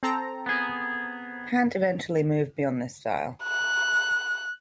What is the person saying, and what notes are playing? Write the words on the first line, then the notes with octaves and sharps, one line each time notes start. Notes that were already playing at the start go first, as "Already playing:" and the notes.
Pant eventually moved beyond this style.
C4 A4 A#5
B3 G#4
F#6